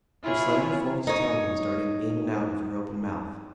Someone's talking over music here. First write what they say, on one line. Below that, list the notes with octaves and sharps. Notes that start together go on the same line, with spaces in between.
Her slender forked tongue was darting in and out of her open mouth.
E4 F4 G#4 C#5
D#4 C#5